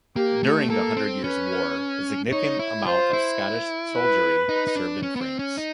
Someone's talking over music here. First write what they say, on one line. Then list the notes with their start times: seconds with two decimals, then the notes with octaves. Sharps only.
During the Hundred Years War, a significant amount of Scottish soldiery served in France.
0.16 A#3 G4
0.43 A3
0.70 A#3 A4
0.97 C4
1.24 C#4 B4
2.32 D#4 C#5
2.59 E4
2.86 F4 C5
3.13 E4
3.95 B4
4.49 D#4
4.67 D#4
4.75 D4
5.03 C#4
5.16 B3
5.21 C4
5.39 C#4
5.57 D#4